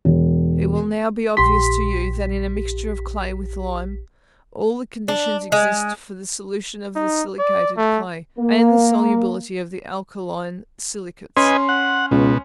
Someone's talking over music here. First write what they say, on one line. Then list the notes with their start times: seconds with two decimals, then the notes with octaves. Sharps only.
It will now be obvious to you, that in a mixture of clay with lime, all the conditions exist for the solution of the silicated clay, and the solubility of the alkaline silicates.
0.05 E1
1.37 A#1 G4 C6 B6
5.08 D4
5.52 G#3
6.96 D#4
7.39 D5
7.77 A3
8.38 A#3
11.37 C#4 B4 D#5 G#5 C6
11.69 F#5
12.11 C#2 B2